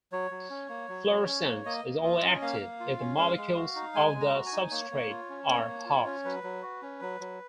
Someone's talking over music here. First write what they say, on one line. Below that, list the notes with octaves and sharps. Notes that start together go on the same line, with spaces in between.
Fluorescence is only active if the molecules of the substrate are halved.
F#3 C#5
F#3
C#4
A#3
F#3
F#3
C#4
A#3
A#3 D#5
A#3
F4
C#4
A#3 F5
A#3
F4
C#4
G#3
G#3
F#4
D#4
G#3 G#5
G#3
A#5
F#4
G#5
D#4
A#3 C#5
A#3
F4
C#4
A#3
A#3
F4
C#4
F#3 B4
F#3
F#4
C#4
F#3
F#3